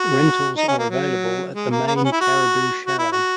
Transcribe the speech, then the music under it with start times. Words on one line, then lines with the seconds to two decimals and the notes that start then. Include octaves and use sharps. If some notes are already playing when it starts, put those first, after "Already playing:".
Rentals are available at the main Caribou Chalet.
Already playing: F#4
0.57 D#4
0.68 C#4
0.79 A#3
0.90 F#3
1.55 G#3
1.71 A#3
1.87 A#3
1.96 B3
2.05 C#4
2.12 E4
2.21 F#4
2.86 F#4
2.99 E4
3.12 F#4